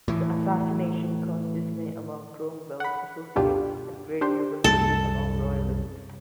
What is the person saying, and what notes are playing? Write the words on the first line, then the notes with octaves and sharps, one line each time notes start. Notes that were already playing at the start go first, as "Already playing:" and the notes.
The assassination caused dismay among Cromwell's associates and great jubilation among royalists.
A2 E3
F#5 B5
C#2 F#2 B2 D4 F4 G4
D4 G4 C5
C2 F#2 A4